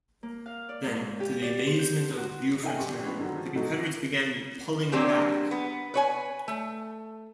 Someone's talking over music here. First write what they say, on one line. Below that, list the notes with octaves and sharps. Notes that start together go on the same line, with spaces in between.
Then, to the amazement of Buford's men, the Confederates began pulling back.
A#3
F5
D5
G#2
G4
D5
C5
G6
F#4
D#4 A4 E5 G5 G#5
A#1 G4 C6 C#6
F3 G#3 B3 C#4
D3 D#3 F#3
F3
B2 F3 F#3 A3 D#4 F#4
F#3 A#3 C4 D4 G4 G#4
B3
B4 C#5 G#5
A3